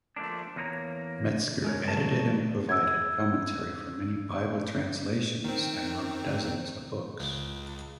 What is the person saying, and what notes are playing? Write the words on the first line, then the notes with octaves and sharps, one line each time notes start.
Metzger edited and provided commentary for many Bible translations and wrote dozens of books.
F3 A3 A#3 D4
E2 F#3 A#3 D#4 C#5 A#5
G#3 A#4 C#5
E3 F#3 G3 A#4 D#5 A5
E6 G#6
D#3 C4
C#2